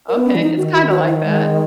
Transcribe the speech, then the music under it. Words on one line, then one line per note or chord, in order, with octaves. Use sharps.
Okay, it's kinda like that.
A#4
B3
C#4
E3
D#4
D#3 F#4
F#4
F#4
E4
G#3